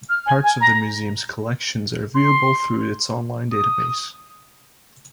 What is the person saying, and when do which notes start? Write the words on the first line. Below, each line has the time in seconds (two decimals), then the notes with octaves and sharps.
Parts of the museum's collections are viewable through its online database.
0.09 F6
0.26 G#5
0.44 G#5
0.61 A#5
2.15 C6
3.52 D#6